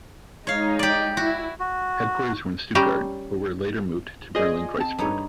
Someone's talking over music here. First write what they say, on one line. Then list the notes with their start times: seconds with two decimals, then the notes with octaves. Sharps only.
Headquarters were in Stuttgart, but were later moved to Berlin-Kreuzberg.
0.47 G#3 D#4 C#5 F5
0.79 G4 D5
1.17 E4 F#4
1.59 F#4
2.75 G3 C#4 G4 A#5
4.35 F4 G#4 C5 D5 D#5
4.78 C4 A5
4.99 G2 D#4 C#5